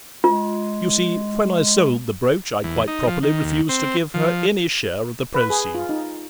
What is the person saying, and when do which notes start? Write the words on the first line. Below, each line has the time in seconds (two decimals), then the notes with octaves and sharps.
You see, when I sold the brooch I quite properly refused to give her any share of the proceeds.
0.24 G#3 F4
2.64 E2
2.88 D#4
3.07 F3
3.23 D#3
3.44 D#2
3.69 C4
4.14 F3
5.34 B4
5.50 G#4
5.75 F4
5.89 D#4